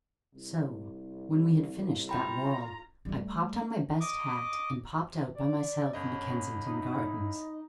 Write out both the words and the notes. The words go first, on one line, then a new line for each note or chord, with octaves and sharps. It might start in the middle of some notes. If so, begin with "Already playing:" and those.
So, when we had finished that wall, I popped on my best hat, and popped out by myself into Kensington Gardens.
C2
F4 G5 A#5 B5
G3 A3
D#5 D6
D5
G1 C#4 D#5 B5
D#4 E4